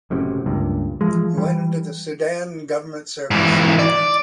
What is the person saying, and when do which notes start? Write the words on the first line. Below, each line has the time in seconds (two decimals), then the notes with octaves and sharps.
He went into the Sudan Government Service.
0.10 F#1 F#2 A2 C3
0.46 C#2 G2 A#2
1.01 E3 F3 G#3
1.37 E3 G3
3.31 G#2 E3
3.79 D5